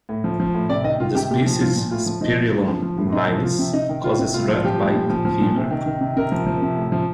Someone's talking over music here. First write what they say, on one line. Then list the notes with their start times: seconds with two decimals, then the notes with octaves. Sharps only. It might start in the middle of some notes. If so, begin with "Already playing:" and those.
The species "Spirillum minus" causes rat-bite fever.
0.09 A2
0.24 F3
0.40 F3
0.54 A2
0.69 C3 D5
0.84 D#3 D#5
1.00 D#3 F4
1.15 C3 G4
1.31 A#2 G4
1.46 F3
1.61 F3 F4
1.76 A#2
1.91 A2 F4
2.06 F3
2.21 F3 D#4
2.37 A2
2.52 A2 D4
2.67 F3
2.82 F3
2.98 A2
3.12 C3 D#4
3.28 F3
3.43 F3 F4
3.59 C3
3.73 C3 D#4
3.89 D#3
4.04 D#3 F4
4.19 C3
4.34 A2 F4
4.49 F3
4.56 F4
4.65 F3 G4
4.80 A2
4.95 A#2
5.10 F3
5.25 F3
5.41 A#2
5.55 C3
5.71 D#3
5.86 D#3
6.01 C3
6.16 C3 A#4
6.32 F3
6.46 F3
6.62 C3
6.77 A2
6.92 F3